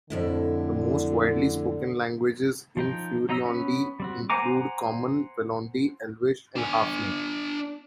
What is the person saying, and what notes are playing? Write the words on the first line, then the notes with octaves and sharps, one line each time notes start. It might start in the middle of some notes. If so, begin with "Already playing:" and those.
The most widely spoken languages in Furyondy include Common, Velondi, Elvish, and Halfling.
F2 A2 D3 E4
F3 D#4 G5
F#3 D#4 D#5 A#5 E6
B3 C#4 B4
G3 C4 F#4
C5 F#5 G#5 A#5 D6
D4 G#5